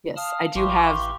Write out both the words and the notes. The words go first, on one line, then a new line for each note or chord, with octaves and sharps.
Yes, I do have
F5 A5 D#6 F6
A1 E3 G4 C6 C#6